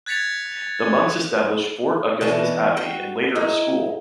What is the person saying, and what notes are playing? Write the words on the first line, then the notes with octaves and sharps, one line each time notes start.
The monks established Fort Augustus Abbey and later a school.
F#6 G#6 A6 B6 C#7 F7
B2 D3 E3 B3
F#4 F#5 G5
D#4 E4